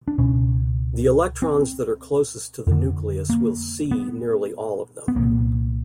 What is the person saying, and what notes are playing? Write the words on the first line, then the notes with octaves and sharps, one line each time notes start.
The electrons that are closest to the nucleus will 'see' nearly all of them.
D4
C#2 B2 C#4
C4
F2 D3
A#3
B3
B3
C2 A#2 A#3